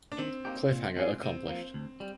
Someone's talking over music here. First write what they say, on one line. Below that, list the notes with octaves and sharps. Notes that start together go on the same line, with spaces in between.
Cliffhanger accomplished.
D4
D#3 C4
A#3 D#4 G4
A#2
F3 C4 F4 G#4
C3 C4
F3 A#3
D2
G3